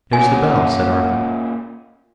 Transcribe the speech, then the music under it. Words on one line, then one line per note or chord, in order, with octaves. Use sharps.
'There's the bell,' said Arthur.
C#2 A#2 C#4 E5 F#5 G#5